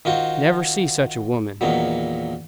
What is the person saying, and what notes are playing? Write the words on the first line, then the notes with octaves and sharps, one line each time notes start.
I never see such a woman.
D#3 F4 F#4 C5
E2 A#2 D#3 F#3